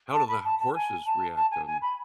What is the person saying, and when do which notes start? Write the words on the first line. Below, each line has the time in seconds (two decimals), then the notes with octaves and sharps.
how do the h horses react, um
0.13 A5
0.28 B5
0.44 A5
0.60 A5
0.75 G#5
1.05 A5
1.35 A5
1.51 G#5
1.67 G#5
1.82 B5